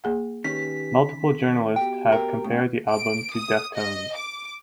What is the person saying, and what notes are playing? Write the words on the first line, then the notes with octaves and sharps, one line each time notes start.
Multiple journalists have compared the album to Deftones.
A#3 G#4 F#5
D#3 C#4 G4 B4 B6
C4
B3 F#4 G4 G5
A#4
A2 C#4
D7
D#6
D#5
D6